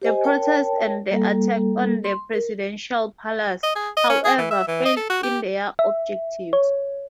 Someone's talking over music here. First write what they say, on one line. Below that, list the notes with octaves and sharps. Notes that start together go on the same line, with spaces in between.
The protests and the attack on the presidential palace, however, failed in their objectives.
G4 C5 D#5 G#5
A#4 C#5 G5 A5
G3 A#3 A4
C6
A#4
D#5
G#4
D#5
C#4
G#4
E3
E5
E3
D#5
A4
F#4
G4
E5
C#5